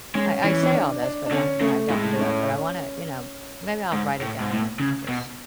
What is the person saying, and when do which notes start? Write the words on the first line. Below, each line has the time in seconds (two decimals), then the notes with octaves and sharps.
I I say all this, but then, you know, I don't do it. But I wanna, you know maybe I'll write it down and just,
0.15 G#3 C#4
0.44 E3 C#4
0.63 C#4
0.74 D4
1.02 D4
1.26 D4
1.31 D3 C#4
1.60 C#3 A3
1.90 A2 G#3
2.19 C#4
3.93 G#2
4.22 A2
4.40 G#2
4.52 A2
4.80 C#3
5.09 B2